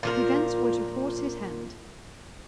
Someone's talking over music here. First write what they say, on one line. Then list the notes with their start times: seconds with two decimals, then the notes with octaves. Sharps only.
Events were to force his hand.
0.03 A#2 F3 A#4